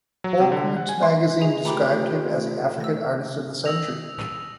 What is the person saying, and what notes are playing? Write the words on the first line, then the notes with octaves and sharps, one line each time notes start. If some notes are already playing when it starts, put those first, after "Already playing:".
"Folk Roots" magazine described him as the African Artist of the Century.
F#3
C3
D3
F#5
G#5
C6
G#4 D#5 G#5
E3 A3 F4 G4 G#4 A#5 B5 D6
E6 A#6
D#6 E6 A#6 F7